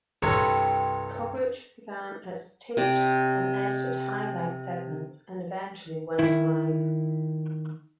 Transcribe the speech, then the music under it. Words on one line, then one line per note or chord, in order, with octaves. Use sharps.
Coverage began as taped and edited highlight segments and eventually went live.
C2 G2 C3 A4 C#5
C3 D5
D#3 E4